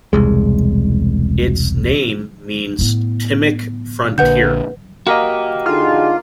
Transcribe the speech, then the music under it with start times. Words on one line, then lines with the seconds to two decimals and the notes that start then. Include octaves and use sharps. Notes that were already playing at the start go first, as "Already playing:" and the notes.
Its name means "Timok frontier".
0.13 E1 C2 G#3
2.79 A2 B3
4.18 A#1 D3 B4 F#5 G6
5.07 A#3 F#4 G4 D#5
5.66 D3 D#4 F4 G#4